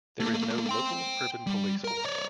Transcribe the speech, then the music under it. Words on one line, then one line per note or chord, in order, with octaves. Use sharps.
There is no local urban police force.
A3 A#3
G5 C6
G3
A#4 A#5
C#5 D5